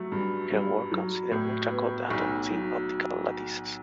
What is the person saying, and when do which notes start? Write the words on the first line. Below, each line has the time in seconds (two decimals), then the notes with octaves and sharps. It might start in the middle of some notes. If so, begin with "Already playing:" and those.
Her work considered ultra cold atoms in optical lattices.
Already playing: F#3 A3
0.12 G2
0.52 G2
0.92 F#3
1.31 A2
1.71 B3
2.10 B1
2.50 F#3